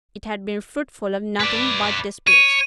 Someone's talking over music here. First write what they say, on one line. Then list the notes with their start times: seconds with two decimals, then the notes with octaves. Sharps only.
It had been fruitful of nothing but disputes.
1.40 B4 D5
2.27 C#5 D#7